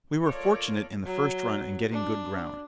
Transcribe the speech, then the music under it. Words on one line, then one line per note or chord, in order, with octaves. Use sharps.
We were fortunate in the first run in getting good ground.
F4 A4 A#4 C#5 D5
F#3
D4